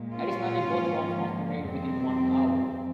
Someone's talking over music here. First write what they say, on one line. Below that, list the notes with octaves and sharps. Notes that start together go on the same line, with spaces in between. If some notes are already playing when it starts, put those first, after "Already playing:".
Additionally both runs must be made within one hour.
Already playing: A#2 G#3
C#4 F4
G#2 F3 A#3
F2 D#3 G3 C4
F2